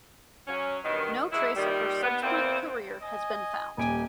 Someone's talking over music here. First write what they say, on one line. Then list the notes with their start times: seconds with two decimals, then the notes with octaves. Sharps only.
No trace of her subsequent career has been found.
0.48 F#3 C#4
0.84 G2 B2 D#3
1.32 F#3 G#3 E4
1.56 A#2 D#3 G3
2.01 B3
2.22 E2 A#3 C4
3.02 D#5 G#5
3.77 D#1 G4 G#5 D7